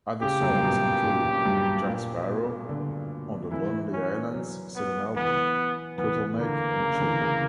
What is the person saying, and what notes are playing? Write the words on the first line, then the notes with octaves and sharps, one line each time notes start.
Other songs include "Jack Sparrow" on The Lonely Island's second album, "Turtleneck and Chain".
C#3 G4
F#2
G2
A#2
B2
A#2
G2
A#2
B2
D3
E3 E4
C#4
F#3
B3
E3 B3
E3 B3
D3 A#3
C#3
D3
E3
C#3